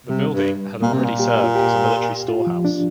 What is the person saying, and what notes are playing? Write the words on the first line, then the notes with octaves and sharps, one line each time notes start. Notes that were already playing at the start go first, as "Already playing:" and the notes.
This building had already served as a military storehouse.
C3 G3
G2
A#2 A#3
C3
A#2
G4
F4
G4
F4
F3
D4